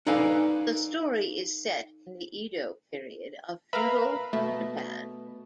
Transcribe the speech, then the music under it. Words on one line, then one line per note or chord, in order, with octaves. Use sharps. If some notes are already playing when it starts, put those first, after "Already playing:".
The story is set in the Edo period of feudal Japan.
D#4 A4 B4 D5 F5 G#5
A#4 B4 E5 F5 A#5 B5
B2 A3